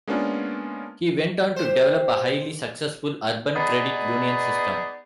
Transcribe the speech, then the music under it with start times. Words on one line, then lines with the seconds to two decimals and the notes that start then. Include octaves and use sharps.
He went on to develop a highly successful urban credit union system.
0.07 G#3 A#3 B3 C#4 D4 F4
1.56 G4 C5
3.55 B3 D#4 G#4 B4 D5 D#5